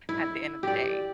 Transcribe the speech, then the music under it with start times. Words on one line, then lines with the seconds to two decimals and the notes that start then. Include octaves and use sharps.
at the end of the day.
0.09 E4
0.63 G4 D5